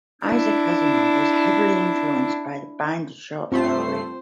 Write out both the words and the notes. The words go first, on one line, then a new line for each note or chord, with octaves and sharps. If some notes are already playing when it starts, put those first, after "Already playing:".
Isaac Asimov was heavily influenced by the Binder short story.
D4 E4
G2 A3 C4 F4 C5 C7